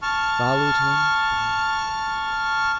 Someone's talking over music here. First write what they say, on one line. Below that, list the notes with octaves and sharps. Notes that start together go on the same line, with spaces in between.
Followed him, followed.
A5 C#6 F6